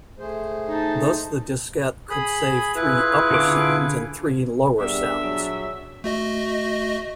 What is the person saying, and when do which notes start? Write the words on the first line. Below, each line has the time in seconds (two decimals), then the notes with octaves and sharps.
Thus the diskette could save three 'upper' sounds and three 'lower' sounds.
0.19 A3 G#4 C5
0.69 D#4 A5
2.10 G#4 B5
2.76 E4 F4 G#4 B4
3.31 D3 D6
4.81 G3 B3 D4 G#4 A#4 E5
5.23 F#3 G#4
6.04 A3 F#4 D#5